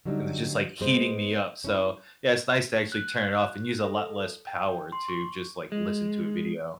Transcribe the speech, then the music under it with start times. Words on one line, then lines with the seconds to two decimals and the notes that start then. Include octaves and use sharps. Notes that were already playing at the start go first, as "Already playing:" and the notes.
And it was just, like, heating me up. So, yeah, it's nice to actually turn it off, and use a lot less power to just, like, listen to a video.
0.05 D3 F#3 G3 D4 D#4
0.81 G#3 B3 C5
1.64 C#4 E4
2.92 F#6
3.84 A4
4.47 G5
4.92 C6
5.08 C#6
5.72 G#3